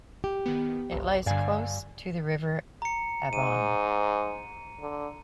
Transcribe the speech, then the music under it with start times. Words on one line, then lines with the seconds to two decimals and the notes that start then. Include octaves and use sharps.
It lies close to the River Avon.
0.24 G4
0.46 D#3 B3
0.92 G1 C2
1.26 G2 D3 D5 F5 G#5
2.82 A#5 C#7
3.33 G#2 D#7
4.80 D3